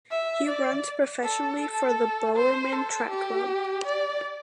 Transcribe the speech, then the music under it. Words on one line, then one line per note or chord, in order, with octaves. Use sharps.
He runs professionally for the Bowerman Track Club.
E5
D5
A4
A4
C5
A4
G4
D5